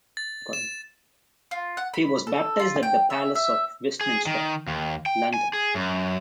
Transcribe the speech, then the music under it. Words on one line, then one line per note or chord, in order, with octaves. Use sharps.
He was baptised at the Palace of Westminster, London.
A6
E7
F4
F#5
B5
A4
F4
G5
E5
E5
G#4
D#3
D#2
G5
G#5
G#4
F#2